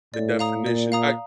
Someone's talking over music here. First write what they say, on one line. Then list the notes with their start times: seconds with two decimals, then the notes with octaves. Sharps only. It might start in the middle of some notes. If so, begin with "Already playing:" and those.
the definition I
0.14 A2 D5
0.39 F5 A#5 D#6
0.65 A#2 D5
0.92 F5 A#5 D#6